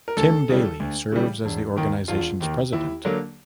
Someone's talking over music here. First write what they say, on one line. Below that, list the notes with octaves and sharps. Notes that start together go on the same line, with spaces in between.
Tim Daly serves as the organization's president.
A#4
D2 A4
C#3 E3 G3
D2
C#3 E3 G3
E1
D#2 D#3
E1 F4
D#2 D#3
D#2 E4
D3 F#3 A#3